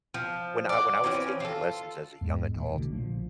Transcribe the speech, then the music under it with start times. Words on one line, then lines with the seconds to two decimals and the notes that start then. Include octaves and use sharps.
when I when I was taking lessons as a young adult,
0.14 F3
0.69 D5 F#5
1.04 E3 F3 C4 C#4
1.40 F4 A4
2.21 E2 G#2 G#3
2.55 A#1 D#2 A2 D#3
2.75 B2 D3 F#3 A3
2.89 A#1 D3 E3 F3